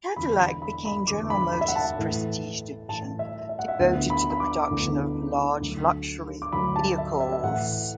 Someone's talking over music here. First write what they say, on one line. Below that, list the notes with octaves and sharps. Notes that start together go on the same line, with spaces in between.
Cadillac became General Motors' prestige division, devoted to the production of large luxury vehicles.
E1 E2 D3 B5
B5
B5
B5
E1 E2 D3 D6
B5
B5
E5
F#5
A5
A2 E3 A3
A2 E3 A3 A5
E5
E5
F#5
E5
D2 D3 B3 E4 F#5
B5
B5
D6
D2 D3 B3 E4
D2 D3 F#3
D6
D2 D3 F#3 B5
A5
E5
E5
E5
A2 E3 A3 F#5